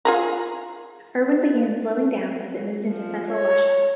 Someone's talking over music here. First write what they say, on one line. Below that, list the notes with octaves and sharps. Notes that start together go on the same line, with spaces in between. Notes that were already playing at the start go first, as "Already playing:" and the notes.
Erwin began slowing down as it moved into Central Russia.
F4 G#4 A#4
F3
C#5